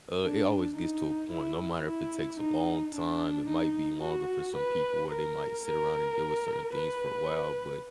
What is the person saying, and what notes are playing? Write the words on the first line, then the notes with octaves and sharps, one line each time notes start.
uh, it always gets to a point no matter if it takes a long time. It might be longer for some people where they might sit around and deal with certain things for a while, but
D4
D#4
E4
E4
D#4
D4
D#4
F#4
B4
A#4
A#4
B4